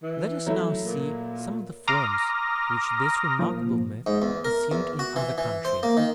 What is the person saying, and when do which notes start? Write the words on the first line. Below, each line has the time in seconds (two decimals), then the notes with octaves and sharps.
Let us now see some of the forms which this remarkable myth assumed in other countries.
0.03 E3
0.46 F#3 A3 E4
0.84 A#2
1.88 A#5 C6 D6 D#6 F6 A#6
3.39 A#2 F3
4.07 G#2
4.22 E2
4.45 A#4
4.71 E2
4.99 F#4
5.16 E3
5.38 E3
5.65 C5
5.83 A#3
5.97 D#3